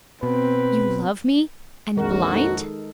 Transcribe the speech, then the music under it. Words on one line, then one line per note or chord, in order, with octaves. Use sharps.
'You love me, and blind?'
B2 C4 B4
A#1 F2 D#3 G#3 F#4 A#4
D#4 A4